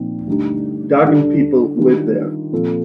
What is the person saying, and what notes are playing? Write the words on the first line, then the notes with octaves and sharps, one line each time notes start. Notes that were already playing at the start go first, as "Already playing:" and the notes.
Dargin people live there.
Already playing: A#2 F3 C4 D#4
G2 D3 A3 D#4 G4
D3 G3 D4 A4
D#3 G3 D4 F4
A#2 F3 C4 F4 A4